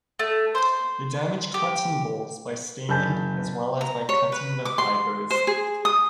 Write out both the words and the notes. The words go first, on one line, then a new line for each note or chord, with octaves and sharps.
They damage cotton bolls by staining as well as by cutting the fibres.
A3
C5
G4
F#1 G#5 A5 G6 A6
A#5
C#5
B4
D6
C6
C5
G#4
D#6